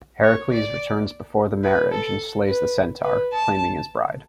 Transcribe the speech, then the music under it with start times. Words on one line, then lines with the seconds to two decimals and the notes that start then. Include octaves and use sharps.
Heracles returns before the marriage and slays the centaur, claiming his bride.
0.23 C#5
0.51 D5
1.63 B4
1.92 A4
2.48 B4
3.04 B4
3.33 A5